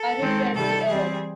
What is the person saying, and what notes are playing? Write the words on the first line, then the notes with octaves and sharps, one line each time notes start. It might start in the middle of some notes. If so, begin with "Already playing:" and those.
I regret the error.
Already playing: A4
D#3 G#3 C4
C3 D#3 G3 A4
E3 G3 C4 G#4